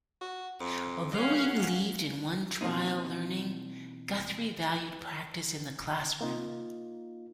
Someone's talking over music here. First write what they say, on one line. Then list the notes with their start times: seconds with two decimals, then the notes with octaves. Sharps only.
Although he believed in one-trial learning, Guthrie valued practice in the classroom.
0.21 F#4
0.60 F2
1.12 D#2 C#4 F5 F#5
2.61 B2 E3 A#3 C4 D#4
6.21 A#3 D#4 F4